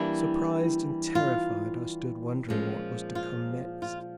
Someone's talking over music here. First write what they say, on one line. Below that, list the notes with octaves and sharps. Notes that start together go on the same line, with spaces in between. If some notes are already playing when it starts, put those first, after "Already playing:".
Surprised and terrified, I stood wondering what was to come next.
Already playing: E3 G3 A#3 D4 E4
F4
A#2 F3 G#3 C#4
F4
F4